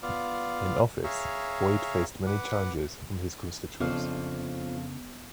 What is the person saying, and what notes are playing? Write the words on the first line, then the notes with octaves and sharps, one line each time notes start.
In office, Boyd faced many challenges from his constituents.
B3 F4 D5 F5
G#4 C#5 E5 F5 A#5
B4 F#5 D6
F2 C#3 B3 D4 F4 C5 C#5 F5